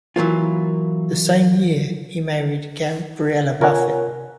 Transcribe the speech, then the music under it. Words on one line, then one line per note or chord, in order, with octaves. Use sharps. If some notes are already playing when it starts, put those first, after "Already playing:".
The same year, he married Gabrielle Buffet.
E3 F#3 A#3 F4
C3 F4 A#4 C#5 G#5 F#6